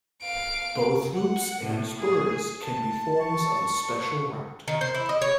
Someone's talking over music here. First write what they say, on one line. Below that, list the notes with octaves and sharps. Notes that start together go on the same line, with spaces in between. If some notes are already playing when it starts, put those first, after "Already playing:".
Both loops and spurs can be forms of a special route.
F5 D7
F#5
A2
G#4
A5
C#6
D#3
C5
E4
D#5
C#5